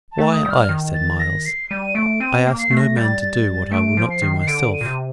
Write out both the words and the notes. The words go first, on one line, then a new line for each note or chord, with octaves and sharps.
"Why, aye," said Myles; "I ask no man to do what I will not do myself."
A5
A3
D#6
G3
F6
D#3
A6
A#6
C7
G3 D#7
A3 D7
C4 D#7
A#3
C7
A3
A#6
G3 A6
A6
A3 D7
F3
C7
D#3
C7
D3 D7
D#7
A#2
C3